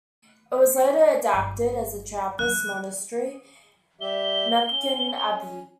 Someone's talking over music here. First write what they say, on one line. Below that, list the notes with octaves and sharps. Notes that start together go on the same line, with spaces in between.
It was later adapted as a Trappist monastery, Mepkin Abbey.
G1
D3 F#3 F#6
G3 G4 E5 G7
C#4